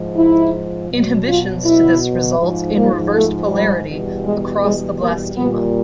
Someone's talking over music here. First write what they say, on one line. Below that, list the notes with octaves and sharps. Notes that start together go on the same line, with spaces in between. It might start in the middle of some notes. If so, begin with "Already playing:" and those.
Inhibitions to this result in reversed polarity across the blastema.
Already playing: G#2 F3
E4
B2 F#3
F4
E4
G#2 F3
A#3
A3
G3
E2 B2 G3
G#3
G#3
A#3
A#2 G3 B3